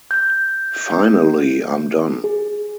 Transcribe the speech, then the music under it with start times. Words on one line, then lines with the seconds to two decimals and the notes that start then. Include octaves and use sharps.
Finally, I'm done!
0.11 G6
2.24 G#4